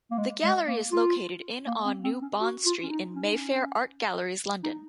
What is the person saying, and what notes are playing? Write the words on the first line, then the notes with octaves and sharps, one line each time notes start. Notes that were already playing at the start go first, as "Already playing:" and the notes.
The gallery is located in on New Bond Street in Mayfair, art galleries london.
A#3
G#3
G#3
A#3
F4
A#3
C4
C4
C#4
F#4
F4
C#4
D#4
C#4
D#4
C#4
D#4